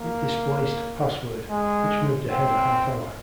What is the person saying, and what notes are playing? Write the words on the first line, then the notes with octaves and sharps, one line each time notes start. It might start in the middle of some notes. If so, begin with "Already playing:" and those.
It displaced "Password", which moved ahead a half-hour.
Already playing: A#3
G#3
C4